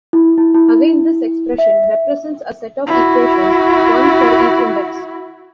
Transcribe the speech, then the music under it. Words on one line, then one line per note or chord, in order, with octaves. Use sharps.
Again this expression represents a set of equations, one for each index.
E4
E4
E4
E4
E5
E4 F#4